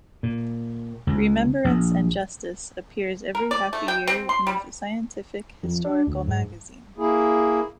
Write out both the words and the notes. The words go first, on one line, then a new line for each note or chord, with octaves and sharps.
"Remembrance and Justice" appears every half a year and is a scientific historical magazine.
A#2
C#2
A#1
A#4
D5
A3
G5
C4
C6
G3
F2
D4
D2
G#2
A#3 E4 G#4